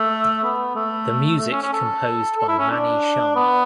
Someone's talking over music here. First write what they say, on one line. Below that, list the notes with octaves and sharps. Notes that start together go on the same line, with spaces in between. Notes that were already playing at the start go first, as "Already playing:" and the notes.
The music composed by Mani Sharma.
Already playing: A3
B3
A3
A3
C#4
C#4
A4
A4
E4
C#4
D4
B3